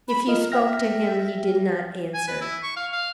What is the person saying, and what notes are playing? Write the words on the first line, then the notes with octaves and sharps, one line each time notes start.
If you spoke to him, he did not answer.
B5
F4 A#4 D#5
E5 G5 F6 A#6
G#5
B4
E4
C#6
F5
F5